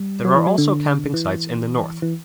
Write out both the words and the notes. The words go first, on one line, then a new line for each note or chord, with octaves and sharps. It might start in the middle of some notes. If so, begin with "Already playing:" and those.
There are also camping sites in the north.
Already playing: G3
F#3
E3
F#3
D3
E3
E3